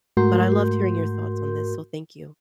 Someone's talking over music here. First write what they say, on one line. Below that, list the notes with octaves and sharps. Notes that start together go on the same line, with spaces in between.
But I loved hearing your thoughts on this, so thank you.
G#2 A3 F#4 A#4 C6 G6